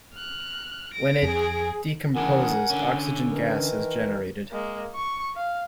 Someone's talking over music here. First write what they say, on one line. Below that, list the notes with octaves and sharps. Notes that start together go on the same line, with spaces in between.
When it decomposes, oxygen gas is generated.
F6 F#6
A#6 D7
F2 G#4
E2 C#3 D4 A#4 F#5 G#5
D3 C#4
D#3 E3 A#4
G#3 A#3
C#6
F5